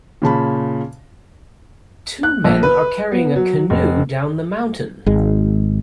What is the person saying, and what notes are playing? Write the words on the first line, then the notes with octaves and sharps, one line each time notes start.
Two men are carrying a canoe down the mountain.
A#2 C#3 A5 B5
F#6
A#1
B4
B3
F#3
F1
G#1 G#3